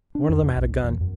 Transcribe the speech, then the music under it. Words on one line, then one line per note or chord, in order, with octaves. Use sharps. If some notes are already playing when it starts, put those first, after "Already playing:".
One of them had a gun.
D4
F2
E2
A#1
C2
E2
F#2